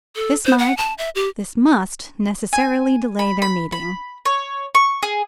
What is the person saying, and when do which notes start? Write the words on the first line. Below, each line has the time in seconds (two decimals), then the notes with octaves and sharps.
This might, this must, necessarily delay their meeting.
0.16 A4
0.45 C5
0.58 F#5
0.77 A5
0.98 E5
1.15 G4
2.53 G#5
3.19 B5
3.42 B5
3.72 B5
4.25 C#5
4.75 C#6
5.03 G#4